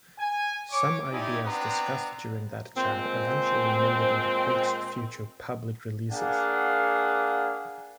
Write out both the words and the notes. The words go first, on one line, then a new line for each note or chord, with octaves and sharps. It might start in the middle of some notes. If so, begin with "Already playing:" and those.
Some ideas discussed during that chat eventually made it into Quake's future public releases.
G#5
C#5 D6
C4 D#4 E4 G4 D5 G#5
B3 C4 D4 F#5 A#5
A#2 G#3 C4
A#3 D4 G#4 F5 F#5